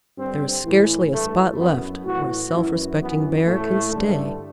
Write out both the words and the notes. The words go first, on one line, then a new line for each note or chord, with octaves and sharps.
There is scarcely a spot left where a self-respecting Bear can stay.
G2 D3 C4
A2 E3
G2 E3 A3
F#2 E3 B3
A2 E3 F#4
F#2 E3 E4
F#2 E3 B3
A2 E3 A3
G2 D3